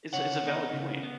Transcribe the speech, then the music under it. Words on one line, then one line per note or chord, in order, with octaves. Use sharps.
It's a it's a valid point.
C#3 C#5 F#5
B3 D#4
C#3
B3